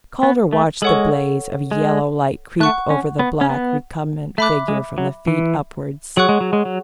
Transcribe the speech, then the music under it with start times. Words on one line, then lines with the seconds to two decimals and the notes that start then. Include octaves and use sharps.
Calder watched the blaze of yellow light creep over the black recumbent figure from the feet upwards.
0.23 B3
0.53 A3
0.82 G#3 A4 C#5 F#5 C#6
1.71 G#3
2.60 A3 F#5 C#6 F#6
2.90 C#4
3.19 B3
3.41 C#4
3.50 B3
4.38 A3 E5 B5 D6 F#6
4.68 G#3
4.98 F#3
5.27 E3
6.17 F#3 G#4 C#5 F#5 C#6 F#6
6.29 G#3
6.41 F#3
6.53 G#3
6.65 F#3